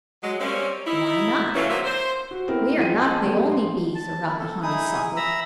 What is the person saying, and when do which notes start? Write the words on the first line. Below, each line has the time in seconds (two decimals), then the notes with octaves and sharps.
"Why not? We are not the only bees around the honeysuckle."
0.23 F#3 G#3
0.41 G3 A#3 C4 C#4
0.87 D#4 E4
1.55 C#3 E3 F#3 A3 A#3 C#4
1.69 F#3 A#3 C4 D#4 E5
1.85 C5
2.31 F#4
2.47 B3 C4 E4 A#4 B4
2.78 E3 F4 G#4 G5 D#7
2.97 D#5 G#5 A5
3.23 F#3 G3 A3 B3 C4 G4
3.51 C6
3.95 A5
4.25 E4
4.39 A4
4.63 D#4 E4 G#4 D#6
5.17 E5 A#5 B5 E6